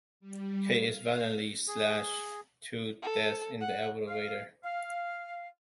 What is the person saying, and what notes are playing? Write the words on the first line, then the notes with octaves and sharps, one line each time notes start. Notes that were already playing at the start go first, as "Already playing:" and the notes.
Kate is violently slashed to death in the elevator.
G3
F5
G#4
A4
F#5
F5
F5